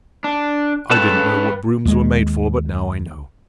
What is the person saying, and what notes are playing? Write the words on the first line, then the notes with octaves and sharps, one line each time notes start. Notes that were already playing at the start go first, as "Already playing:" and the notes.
I didn't know what broughams were made for, but now I know.
D4
C#4 A4 B4 G5 A5
D#2 G#3